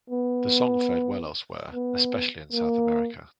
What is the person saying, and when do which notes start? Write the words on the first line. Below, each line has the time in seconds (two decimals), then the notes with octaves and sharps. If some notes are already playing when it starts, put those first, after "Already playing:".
The song fared well elsewhere, especially in South America.
0.10 B3
1.73 B3
2.53 A#3